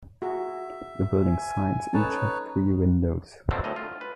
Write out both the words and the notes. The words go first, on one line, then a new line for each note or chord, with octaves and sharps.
The building sides each have three windows.
F#4 G#4 E5 A#5
G#5
C#4 D#4 A4 B4 C#5 A5
B2 D3 F3 F#3 A3 C4
D2 A2 D#5
F4
B4